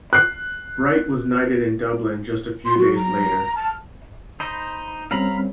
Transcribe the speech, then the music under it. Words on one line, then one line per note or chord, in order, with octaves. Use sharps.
Bright was knighted in Dublin just a few days later.
F#6 C7
C6
F#3 F#4
A#5
A5 F6
D#4 C5 D#5 B5
G3 C4 C#4 F5 A#5 B5